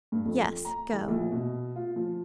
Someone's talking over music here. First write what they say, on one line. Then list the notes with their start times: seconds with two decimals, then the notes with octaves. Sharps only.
"Yes, go."
0.12 G2
0.25 F2
0.65 A#5
0.93 A1
1.08 A#1
1.32 B2
1.76 F4
1.96 F3